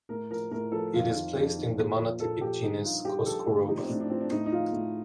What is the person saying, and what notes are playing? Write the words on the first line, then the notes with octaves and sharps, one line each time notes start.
It is placed in the monotypic genus "Coscoroba".
A2 A#4
F3 A#4
A2 A#4
F3 A4
F2 F4
D#3
F2
D#3
A#2
F3
A#2 A4
F3 G4
G2 D#4
F3 F4
G2 G4
F3 A4
A2 G4
F3 D#4
C4
A2 D4
D4
F3 C4
D4
A2 D#4
D#4
F3 F4
A2